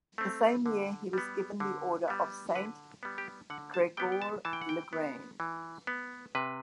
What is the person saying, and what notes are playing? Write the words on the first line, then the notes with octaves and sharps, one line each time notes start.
The same year he was given the order of Saint-Grégoire-le-Grand.
A3 C4
D3
G3 B3
D3
G3 B3
D3 B4
G3 B3
G4
D3 F#5
A5
G3 B3 G5
G5
A5
E3 A5
G5
F#5
G5
B3
E3
B3
C3 B4